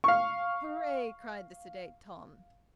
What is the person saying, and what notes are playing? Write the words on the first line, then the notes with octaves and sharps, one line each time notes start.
"Hooray," cried the sedate Tom.
F5 C#6